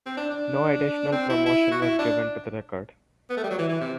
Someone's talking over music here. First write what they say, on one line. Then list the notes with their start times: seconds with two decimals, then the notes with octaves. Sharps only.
No additional promotion was given to the record.
0.06 C4
0.17 D4
0.30 D4
1.12 C4
1.29 E4
1.46 E4
1.72 F#4
1.82 E4
1.99 D4
3.30 B3
3.37 A3
3.44 G3
3.50 F#3
3.58 E3
3.69 E3
3.81 C3